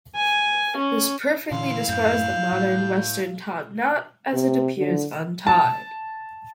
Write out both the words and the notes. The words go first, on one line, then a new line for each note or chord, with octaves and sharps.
This perfectly describes the modern western top knot as it appears untied.
G#5
C#4
A#2 D3 E3 E4 F5 C6
F#2 A2 G6
A2
C3
D3
A5